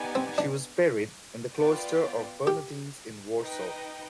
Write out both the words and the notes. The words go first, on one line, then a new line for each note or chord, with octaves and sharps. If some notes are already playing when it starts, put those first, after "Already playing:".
She was buried in the cloister of Bernardin's in Warsaw.
Already playing: B3 D#4 G4 D5 G#5
C4
D4
B3 F4 B4 D5 G5
G4
D#4 B4 D#5 G5